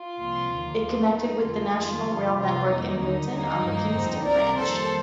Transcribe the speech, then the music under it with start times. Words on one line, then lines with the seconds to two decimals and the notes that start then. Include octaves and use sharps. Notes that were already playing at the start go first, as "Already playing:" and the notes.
It connected with the national rail network in Winton on the Kingston Branch.
Already playing: F4
0.19 C2 A#2 F3 C4
0.51 D#2 D3 F3 A#3
0.82 A#2 F3 A#3
1.14 A#2 A3 C4 D#4
1.44 F2 D3 A3 F4
1.76 F2 D#3 G3
2.08 G2 D3 F3
2.38 C2 C3 F3 F4
2.70 F2 D#3 G3 A#3 D#4
3.01 D#2 D3 G3 D#4
3.33 D#2 D3 G3 A#3 D#4
3.64 G2 D#3 A#3
3.95 F2 D3 F3 C4
4.26 C2 C3 G3 C4 A#4 D5
4.58 F2 D#3 G3 A#3 A4 C5